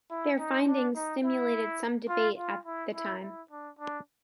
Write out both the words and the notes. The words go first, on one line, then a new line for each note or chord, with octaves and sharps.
Their finding stimulated some debate at the time.
E4
D#4
D4
D#4
E4
F4
F4
E4
E4
E4
D4
D4